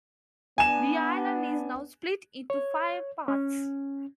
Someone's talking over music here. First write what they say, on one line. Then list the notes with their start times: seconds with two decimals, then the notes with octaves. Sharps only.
The island is now split into five parts.
0.58 B3 D4 G#5 E7
2.50 C#5
3.28 C#4